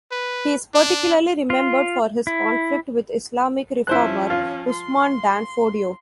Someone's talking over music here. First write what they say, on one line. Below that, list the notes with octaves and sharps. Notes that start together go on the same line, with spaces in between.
He is particularly remembered for his conflict with Islamic reformer Usman dan Fodio.
B4
D4
F4
E4
F3 C#4 E4 C5 F#6
F4
C6